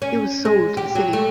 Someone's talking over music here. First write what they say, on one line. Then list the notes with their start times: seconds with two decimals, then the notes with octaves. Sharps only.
It was sold to the city.
0.02 C#4
0.45 G#3
0.77 G4
0.95 F#3
1.13 A3